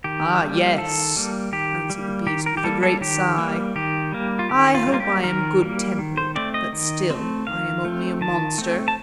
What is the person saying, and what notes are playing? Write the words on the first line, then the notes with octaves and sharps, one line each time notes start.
"Ah! yes," answered the beast, with a great sigh; "I hope I am good-tempered, but still I am only a monster."
D#3 G4
G3 A#3
D#3 A4
G3 A#3
D#3 G4
G3 A#3
D#3 G4
A#4
G4
G3 A#3 A4
A4
D#3 G4
G3 A#3
D#3 G4
G3 A#3
F4
D#3 G4
F4
G3
A#3 F4
G4
D#3 A#4
G3 A#3
D#3
C5
A3 C4 D5
D#5
D#3
A3 C4
D#3 F5
A3 C4
D#3 A5
A3 C4
A5